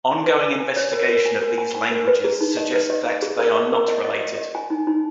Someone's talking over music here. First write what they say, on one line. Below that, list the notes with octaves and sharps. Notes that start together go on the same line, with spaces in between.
Ongoing investigation of these languages suggest that they are not related.
G#5
B4
G#5
G#5
C#5
A#4
A#4
G#5
A#4
G#5
G#5
A#4
B4
G#4
D#4
D#5
B4
D#5
D#5
G#4
A#4
D#5
A#4
D#5
D#5
D#5
D#5
G#5
D#4
D#4